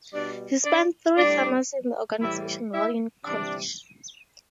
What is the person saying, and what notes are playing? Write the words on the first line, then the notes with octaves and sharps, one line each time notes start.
He spent three summers in the organization while in college.
B2 G3 D4 D5
D4 D5
A2 G3 D4 D5
A2 E3 G3 E4 E5
E4 E5
C3 E3 G3 D4 D5